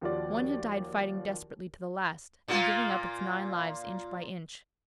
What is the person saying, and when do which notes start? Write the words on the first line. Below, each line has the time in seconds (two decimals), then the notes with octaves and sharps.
One had died fighting desperately to the last, and giving up its nine lives inch by inch.
0.01 D#2 F3 F4 F#4 D5
2.48 A#2 A#3 F4